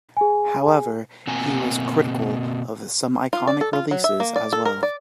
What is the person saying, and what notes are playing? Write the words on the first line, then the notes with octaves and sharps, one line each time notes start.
However he was critical of some iconic releases as well.
G#4 G#5
B2 A#3 C4 G#5 A#5
F4
D5
A4
F4
F#3
E5
A#3
D5
A4
A#4
D5